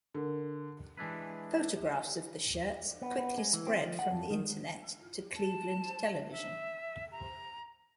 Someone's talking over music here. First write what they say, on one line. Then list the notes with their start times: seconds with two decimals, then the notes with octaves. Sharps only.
Photographs of the shirts quickly spread from the Internet to Cleveland television.
0.14 D3 A#4
0.97 E3 G#3 D4 E4 B4
3.02 B3
3.18 B3
3.38 G#3
3.54 E3
3.67 C4
3.81 F3
3.99 F#5
4.11 F2
4.30 D#3
5.35 A5
6.31 E5
7.12 A#5